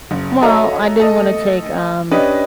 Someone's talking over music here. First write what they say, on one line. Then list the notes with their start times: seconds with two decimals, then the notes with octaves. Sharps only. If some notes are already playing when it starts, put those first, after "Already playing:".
Well, I didn't wanna take, um,
0.11 F#1
0.41 F#4 A4 C#5 D#5 E5 A#5
0.98 A3 A4 D#5
2.11 C#4 D4 G4 B4 D#5